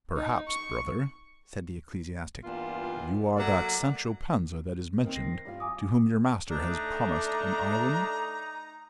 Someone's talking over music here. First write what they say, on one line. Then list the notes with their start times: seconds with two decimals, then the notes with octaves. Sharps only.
"Perhaps, brother," said the ecclesiastic, "you are that Sancho Panza that is mentioned, to whom your master has promised an island?"
0.16 D#4
0.49 C#6
2.43 E2 G2 A#2 F4
3.36 F#3 A3 A#3 D5
5.04 D#3 C4
5.15 A#6 C7
5.45 G2 G3 F4
5.60 G#5 D6 D#6
6.50 A3 D4 D#4 A#5